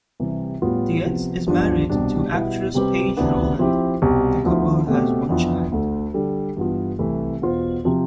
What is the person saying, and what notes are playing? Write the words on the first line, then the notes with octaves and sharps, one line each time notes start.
Dietz is married to actress Paige Rowland; the couple has one child.
C3 E3 G3
A2 G3 B3 F4
C3 F3 B3
G2 F3 B3 D4 F4
C2 B2 G3 D4
B2 G3 B3 E4
C3 G3 C4 G4 B4
D2 C3 E3 B3 D4
F3 C4 E4 G4
C2 B2 G3
D2 D3 F3 B3 E4
B2 A3 C4 G4
F2 E3 B3 D4 F4
D2 D3 A3
D3 G3 D4 A4
G2 E3 B3 F4
C2 C3 E3 A3 E4
E2 B2 B3 F4 C5
C3 F3 C4